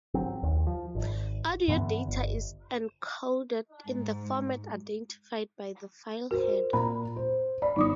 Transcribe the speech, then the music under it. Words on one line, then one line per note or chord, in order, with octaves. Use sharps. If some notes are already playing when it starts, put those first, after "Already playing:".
Audio data is encoded in the format identified by the file header.
G#1 F#3 C4
D#2
F3
G#1
G2 D3 E3 B3
G1
G#2
F#4 A#4 C5
A#2 A#5 B5
C5
D5 B5
G1 D#4 D6 D#6